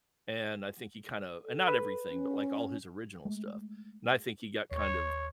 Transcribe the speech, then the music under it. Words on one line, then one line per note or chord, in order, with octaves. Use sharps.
and I think he kinda and not everything, but, like, all his original stuff, and I think he got kind of
A4
B4
C#4
G#3 A3
D#2 C#5